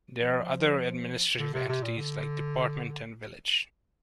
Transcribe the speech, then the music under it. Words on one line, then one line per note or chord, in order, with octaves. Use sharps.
There are other administrative entities like department and village.
F3
D3
C3
C3
A#2
D3